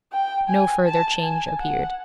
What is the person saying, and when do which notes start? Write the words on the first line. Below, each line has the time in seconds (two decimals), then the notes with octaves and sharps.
No further change appeared.
0.13 G5
0.49 G#5
0.86 A5
1.23 G#5
1.61 F#5